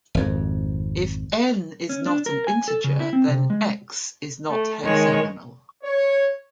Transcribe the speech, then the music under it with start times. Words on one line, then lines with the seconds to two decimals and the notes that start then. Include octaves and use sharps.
If "n" is not an integer, then "x" is not hexagonal.
0.15 G#1 F2
1.89 C#4
2.06 D4
2.26 A#4
2.47 G#5
2.68 A4
2.84 C#3
3.00 E4
3.13 C4
3.28 C3
3.50 G#3
4.49 A3
4.83 D#3 G#3 C#5
5.83 C#5